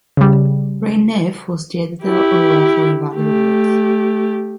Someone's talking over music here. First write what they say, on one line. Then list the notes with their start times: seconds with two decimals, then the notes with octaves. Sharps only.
Ray Neff was the editor or author of other works.
0.17 C#3 G3
2.03 E4 G4
3.16 A3 G4